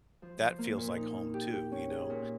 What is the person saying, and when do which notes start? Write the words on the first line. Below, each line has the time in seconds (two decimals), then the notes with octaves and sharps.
that feels like home, too, you know,
0.22 F3
0.41 F3
0.59 A#3
0.77 A#2
0.97 D#4
1.16 D#4
1.34 G4
1.53 G4
1.72 C#4
1.91 G#4
2.10 A#2